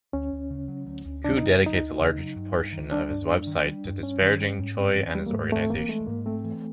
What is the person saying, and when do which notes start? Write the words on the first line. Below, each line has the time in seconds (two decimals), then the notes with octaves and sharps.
Koo dedicates a large portion of his website to disparaging Choi and his organization.
0.13 D2 C#4
0.32 D2
0.50 C#3
0.68 F#3
0.87 D2
1.05 D2
1.24 C#3 D4
1.38 F#3 D#4
1.62 D2 D#4
1.80 D2
1.99 C#3
2.18 F#3
2.36 G2
2.54 G2
2.73 D#3
2.92 G3 D4
3.10 G2
3.28 G2
3.47 D#3
3.66 G3
3.85 G2
4.03 G2 C#4
4.22 D#3
4.40 G3
4.59 G#2
4.77 C4
4.96 E3
5.14 G3 G#3
5.26 A#3
5.32 G#2 A3
5.52 A3 C4
5.70 E3 A#3
5.88 G#3 A3
6.07 G#2 A#3
6.26 A3 C4
6.44 E3